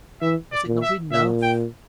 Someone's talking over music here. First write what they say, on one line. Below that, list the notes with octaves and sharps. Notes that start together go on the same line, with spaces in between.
Was it not enough?
E3 E5
D5
A#2
E5
A#2 E5
G5